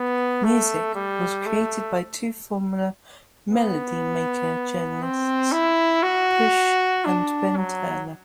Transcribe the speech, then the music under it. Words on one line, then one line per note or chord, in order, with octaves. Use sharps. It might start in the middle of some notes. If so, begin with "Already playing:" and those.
"Muzik" was created by two former "Melody Maker" journalists, Push and Ben Turner.
Already playing: B3
A3
G3
A3
B3
C4
E4
F#4
D4
F#3